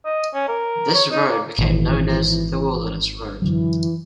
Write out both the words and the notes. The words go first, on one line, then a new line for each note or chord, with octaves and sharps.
This road became known as the Wilderness Road.
D#5
C#4
A#4
C#5
D#4
A#3
G#1 A#2 D#3 E3
F#2 D3 E3 F#3